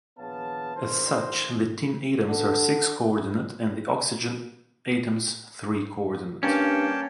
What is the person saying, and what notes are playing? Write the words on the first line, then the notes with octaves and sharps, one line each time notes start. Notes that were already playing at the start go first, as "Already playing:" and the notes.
As such the tin atoms are six coordinate and the oxygen atoms three coordinate.
A#1 B3 G#4 C#5 F5 A5
F#1 E2 G2 D#4 A#4 C5
D3
G2 A#3 C#4 G5 A5